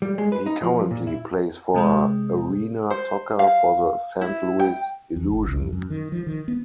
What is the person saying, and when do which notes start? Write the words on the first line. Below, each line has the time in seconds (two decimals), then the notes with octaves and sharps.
He currently plays for arena soccer for the Saint Louis Illusion.
0.02 G3
0.18 G#3
0.32 B4
0.46 D#4
0.63 F3
0.91 A#2
1.07 E4
1.74 C3 G#3 C4
2.90 C5
3.39 F5
4.21 E4
4.60 G5
5.16 E2
5.31 G1
5.47 C#2
5.60 F2
5.73 F#2
5.90 D#3
6.12 F3
6.27 D#3
6.48 B3